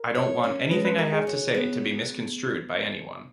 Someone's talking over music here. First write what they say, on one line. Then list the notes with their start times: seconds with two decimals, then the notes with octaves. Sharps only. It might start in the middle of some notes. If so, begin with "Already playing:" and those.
I don't want anything I have to say to be misconstrued by anyone.
Already playing: A#4
0.15 C#5
0.44 C#4
0.71 G#3 B4
0.85 B4
0.98 F#4 A#4
1.12 G#4
1.27 C#5
1.54 B3